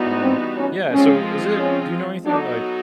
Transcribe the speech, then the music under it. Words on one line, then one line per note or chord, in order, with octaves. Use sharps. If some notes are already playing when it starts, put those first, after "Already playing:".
Um, yeah, so is it do you know anything, like
Already playing: E3 G3 B3 D#4 F#4
C4
C#4
F3 G#3 C4 C#4 F4
C#4
F#3 B3 D4 D#4 F#4 A4